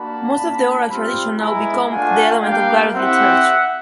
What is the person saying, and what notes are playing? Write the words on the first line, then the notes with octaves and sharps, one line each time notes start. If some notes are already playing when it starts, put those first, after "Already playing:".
Most of the oral tradition now become the element of Garo literature.
Already playing: A#3 D4 F#4 A5 B5
A#3 D4 F4
G3 C4 F4
G#3 B3 E4 G#5 A#5
A3 D4 F4 F#5 G#5
G3 A#3 D4 F5 G5
C4 E4 G4 E5 F#5